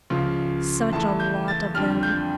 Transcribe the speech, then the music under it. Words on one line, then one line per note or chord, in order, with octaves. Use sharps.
Such a lot of them!
C#2 C#3 F3
E2 E3 A3 A5
G6
A6
F2 D3 G3 F6
G6